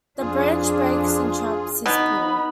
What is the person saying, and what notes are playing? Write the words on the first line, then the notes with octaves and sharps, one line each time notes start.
The branch breaks and traps his paw.
F2 D4 F4 G#4
B2 B3 D#4 B5